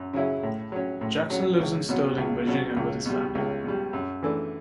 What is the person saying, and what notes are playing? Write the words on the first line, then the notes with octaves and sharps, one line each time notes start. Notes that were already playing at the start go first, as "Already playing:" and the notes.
Jackson lives in Sterling Virginia with his family.
Already playing: F#2
C#3 F#3 C#4 E4
A2
F#3 C#4
A2
F#3 C#4
C#2
B2 F#3 C#4
C#2
B2 F#3 C#4
C#2
B2 G3
C#2
B2 G3
F#2
E3 A3 D4